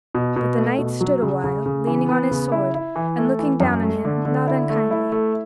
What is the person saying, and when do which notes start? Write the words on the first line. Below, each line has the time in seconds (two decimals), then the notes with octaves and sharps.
But the Knight stood a while leaning on his sword, and looking down on him not unkindly.
0.15 B2
0.36 B2
0.57 A3
0.78 B2
1.01 F#3
1.22 C#3
1.44 C#3
1.66 C#3
1.87 E3
2.09 B3
2.31 C#3
2.52 E4
2.75 E4
2.96 E3
3.18 A3
3.39 E3
3.60 F#2
3.83 A3
4.05 D3
4.25 D3
4.47 E4
4.70 A3
4.91 E4
5.12 A3